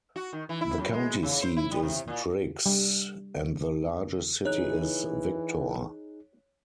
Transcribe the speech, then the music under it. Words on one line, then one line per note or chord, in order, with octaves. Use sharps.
The county seat is Driggs, and the largest city is Victor.
F#4
D#3
E3
E4
F#2
G#3
C#3
C5
E4
G3
C3
A#2
G3
E3 D#4 G#4 C#5 F#6